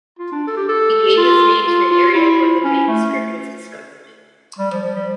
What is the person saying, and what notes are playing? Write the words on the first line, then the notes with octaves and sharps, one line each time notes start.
He gave his name to the area where the manuscript was discovered.
F4
D4
A4
G4
A4
F4
F4
F4
E4
C#4
A3
G3
F3
F3
G3